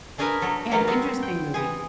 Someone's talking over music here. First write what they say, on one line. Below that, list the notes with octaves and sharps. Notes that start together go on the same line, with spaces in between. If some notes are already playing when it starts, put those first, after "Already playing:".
and, interestingly
A3 D4 G#4 A#4 B4 G#5
F#3 A4
E3 F#3 A#3 B3
G3 B3 C4 F#4
G5
E3 G#4